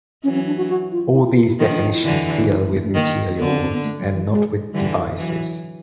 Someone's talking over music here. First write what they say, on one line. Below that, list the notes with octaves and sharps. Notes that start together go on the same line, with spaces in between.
All these definitions deal with materials and not with devices.
E3 F#3 C#4
C#4
D4
F#4
F#4
F4
E4
F4
F4
E4
D#3 F3 D#4
D4
D#4
E4
D3 E3
D#4
G#3
A3
D#3 A#3
D3 B3
C4
C4
B3
A3
F#3
E3
G#3
D3 E3 G3
E3 F#3